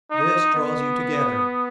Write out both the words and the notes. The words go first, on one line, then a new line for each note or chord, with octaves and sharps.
This draws you together.
D#4
B3